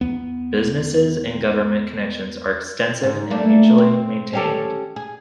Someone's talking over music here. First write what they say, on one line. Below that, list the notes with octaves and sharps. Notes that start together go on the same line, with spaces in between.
Business and government connections are extensive and mutually maintained.
E2 B3
G#2
A3 A#3 D4
C4
C#4 G4 A4
G#4